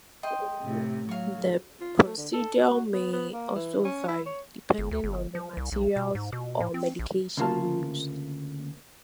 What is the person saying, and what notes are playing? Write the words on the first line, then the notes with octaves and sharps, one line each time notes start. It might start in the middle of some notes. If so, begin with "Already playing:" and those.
The procedure may also vary depending on the materials or medication used.
D#5 G5 C6
A2 C3
F#3 F5 C#6
F4
A3
D3
A4
F#4
B3
B3
A#3
E3
C#4
E4
C#5
G1
D2
G1
F3
C2
B1
B2
G#2
B2
A2
C4
A#1
D2 C#3 E3 A#3 F4 A5